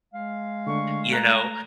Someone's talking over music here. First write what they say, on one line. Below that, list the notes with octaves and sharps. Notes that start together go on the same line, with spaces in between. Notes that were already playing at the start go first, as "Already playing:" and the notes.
you know,
G#3 F5
D3 A3 D4 C#6
A3 A#5 F#6